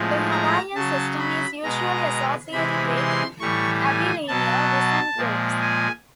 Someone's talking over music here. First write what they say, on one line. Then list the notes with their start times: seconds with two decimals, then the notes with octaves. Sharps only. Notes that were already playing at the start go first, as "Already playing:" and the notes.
The Hawaiian system is usually associated with ambilineal descent groups.
Already playing: A2 F3 G#3
0.31 A#5
0.75 C#3 F#3 A5
1.19 B5
1.64 B2 G#3 A#5
2.52 C3 E3 G#3 B5
2.96 C6
3.40 A2 E3 G3 C#6
3.84 G#5
4.28 B2 F#3 A5
5.17 A#2 F3 G#3
5.61 G#5